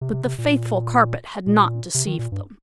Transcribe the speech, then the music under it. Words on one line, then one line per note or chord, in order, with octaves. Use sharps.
But the faithful carpet had not deceived them.
C3
C3
C3
A#2
A#2
C3
D#3
A#2
G2